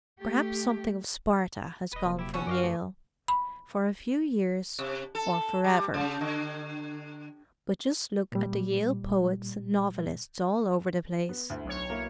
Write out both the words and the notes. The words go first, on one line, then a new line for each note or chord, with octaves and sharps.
Perhaps something of Sparta has gone from Yale, for a few years or forever, but just look at the Yale poets and novelists all over the place.
A3 G4
D#1 B4 D#5
C3 F#3 A#3
E4 G4
D#2 B2 C#4 F#4 A4
F#2 A#4 D5 D#5 F5
A3 B4 D6 D#6
B5
C3
A4
G3
C#3
D3
A#2 G3
B3
D2 E4
B1 C#5
A#3 E4